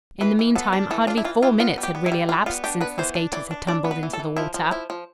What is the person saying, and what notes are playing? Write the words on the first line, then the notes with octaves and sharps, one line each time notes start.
In the meantime hardly four minutes had really elapsed since the skaters had tumbled into the water.
E3 B4
E3
B3 A4
D4
E3 A4
D4 F4
E4
E3 F4
E3 F4
B3 F4
G3
G4
B3
E4
G3
G3 F4
B3 F4
D4 G4
B3 B4
E3 C5
D4
E3 D5
D4
D4 D5
B3
B4
E3
A4
E3
F3 E4
F3
F3 E4
F3